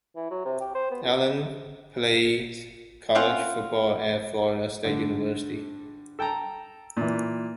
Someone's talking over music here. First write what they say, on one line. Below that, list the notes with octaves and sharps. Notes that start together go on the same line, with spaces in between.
Allen played college football at Florida State University.
E3
F#3
C3
G4
C5
B3
C#2
C4 C#4 F4 F#5
G2 D3
A4 G5 A5 A#5
A#2 E3